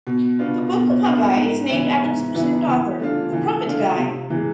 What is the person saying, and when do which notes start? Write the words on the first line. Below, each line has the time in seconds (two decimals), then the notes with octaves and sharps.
The Book of Haggai is named after its presumed author, the prophet Haggai.
0.07 B2
0.39 B3 D4 F4
0.72 B2
1.04 B3 D4 F4
1.36 G#2
1.69 E3 B3 E4
2.03 G#2
2.35 E3 B3 E4
2.68 E3
2.99 A3 D4 F4
3.33 E3
3.65 A3 D4 F4
3.98 C3
4.30 E3 G#3